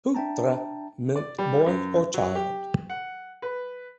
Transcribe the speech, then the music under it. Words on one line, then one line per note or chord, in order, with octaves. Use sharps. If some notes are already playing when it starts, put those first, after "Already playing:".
"Putra" meant boy or child.
D4 E5 G5 A5 A#5
D5
G3
F#2
F#3
G4
F#5
B4